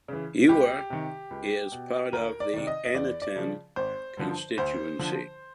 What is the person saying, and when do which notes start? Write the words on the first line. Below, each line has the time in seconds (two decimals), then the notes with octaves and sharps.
Ewa is part of the Anetan Constituency.
0.08 C#3 E3
0.49 C#2 G4
0.90 C3 D#3
1.31 C#2
1.72 B2
2.12 D2 A#4
2.40 D5
2.53 C3 D#3 D5
2.67 D#5
2.85 D#5
2.95 E2 D5
3.22 D5
3.36 C#3 F3
3.76 G#1 C5
4.17 G2 D3 F3
4.58 D2 C5
4.99 D3 F3